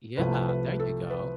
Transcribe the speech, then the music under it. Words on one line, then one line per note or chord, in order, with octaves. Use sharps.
Yeah, there you go.
C2 C3 F3 A3 B4
B4
A4
B4